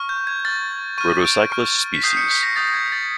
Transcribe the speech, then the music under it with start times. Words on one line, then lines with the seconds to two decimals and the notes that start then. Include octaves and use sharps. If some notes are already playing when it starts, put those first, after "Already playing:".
"Rhodocyclus" sp.
Already playing: C#6 F6
0.09 G6
0.27 G#6
0.45 C#6 F6 A6
0.98 C#6 F6 D#7
1.25 D7
1.50 C#6 F6
1.94 B6
2.03 D#6 G6 C7
2.17 C#7
2.31 B6
2.43 A#6
2.56 D#6 G6 A6
2.74 G#6
2.92 A6